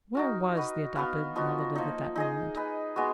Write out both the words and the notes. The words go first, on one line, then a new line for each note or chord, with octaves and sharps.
Where was the adopted relative at that moment?
D#4 F#4 A#4
D#4 F#4 B4
B3 F#4 B4 F5
F3 B3 D#4 F#4
F3 A#3 D#4
D#4 G#4 D#5
D#4 G#4 B4
G#3 B3 F#4 B4